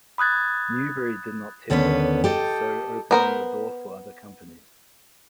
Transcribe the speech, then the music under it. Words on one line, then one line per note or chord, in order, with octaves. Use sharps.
Newbury did not tender, so opening the door for other companies.
B5 D#6 F#6 G#6 A6
D#2 D3 B3 C#4 B4
G4 A4 D#5
B3 A#4 C5